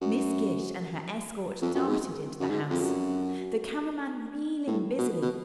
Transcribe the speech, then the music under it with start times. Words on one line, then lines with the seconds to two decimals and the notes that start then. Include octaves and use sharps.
Miss Gish and her escort darted into the house, the camera man reeling busily.
0.01 F#2
1.62 F2
1.74 F#2
1.88 G#2
2.40 F#2
2.50 G#2
2.70 F2
2.81 F#2
4.67 A2
4.98 B2
5.22 B2